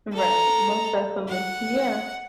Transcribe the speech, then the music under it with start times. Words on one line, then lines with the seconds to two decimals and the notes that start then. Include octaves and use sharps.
Right, most definitely. Yeah.
0.13 A4 A#5
1.28 F#5